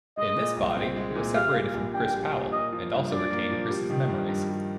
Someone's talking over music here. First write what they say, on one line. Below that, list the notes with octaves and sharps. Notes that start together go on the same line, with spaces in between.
In this body, he was separated from Chris Powell, and also retained Chris' memories.
G#3 D#5
A#2
C2
C4
G#3
A#2
G3 F5
A#2
A#1
D4 G5
G3
A#2
A#3 D#5
F3
G2
D4 D5
A#3
F3
G3
D#3
G2
G2
G3